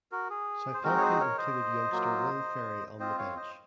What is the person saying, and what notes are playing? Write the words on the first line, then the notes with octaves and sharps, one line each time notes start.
Southampton included youngster Will Ferry on the bench.
F#4 A#4
G#4
C5
G#3 C4 D#4 F#4 A#4
C#5
G#4 C5
A#4 C#5
C5 D#5
F#3 A#3 F4
C4 F4 C5 D#5
C#5 F5
C5 D#5